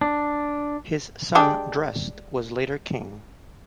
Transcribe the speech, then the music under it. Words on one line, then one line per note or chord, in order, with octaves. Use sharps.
His son Drest was later king.
D4
G#3 D4 G4